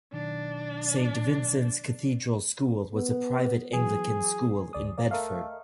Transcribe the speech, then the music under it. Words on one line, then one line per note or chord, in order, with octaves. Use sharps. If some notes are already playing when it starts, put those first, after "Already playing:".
Saint Vincent's Cathedral School was a private Anglican school in Bedford.
B1 D#3 D4
B3
E3 F#3 G#4
D2 D5 D#6
A#3 D5
A3 A#4 D#5 F5